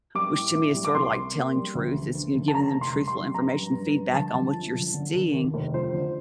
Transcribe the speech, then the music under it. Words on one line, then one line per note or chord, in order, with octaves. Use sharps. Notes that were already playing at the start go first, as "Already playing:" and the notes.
which to me is sorta like telling truth is you giving them truthful information feedback on what you're seeing,
G3 D6
A2
A2
G3
D6
C2 C6
C3
A#3
G3
D2
D2
D2
D2
A5
D3 A#5
F1
C6
G3
C6
G3
G2 A#5
G2
G2
G2
G1 A5
G1
F3
G1
D3
D#2
D#2
F1
F3 C5
D3